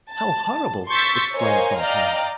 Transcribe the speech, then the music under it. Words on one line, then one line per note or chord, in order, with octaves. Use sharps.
"How horrible!" exclaimed Fantine.
A5
C6 C#6 E6 G6 A6 B6
A#4 C5 C#5 D#5 F5 G#5
D5 D#5 F5 G5 A#5 F6